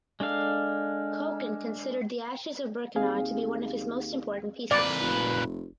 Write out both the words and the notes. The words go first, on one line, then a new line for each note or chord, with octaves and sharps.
Kochan considered "the Ashes of Birkenau" to be one of his most important pieces.
G#3 D4 A4 F5
D#2 C4 G#4 F5
F2 A#2 B4 D5
F1